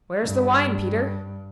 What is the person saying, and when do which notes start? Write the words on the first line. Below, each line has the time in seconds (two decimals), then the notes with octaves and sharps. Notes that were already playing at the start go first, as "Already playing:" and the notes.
"Where is the wine, Peter?"
0.24 G2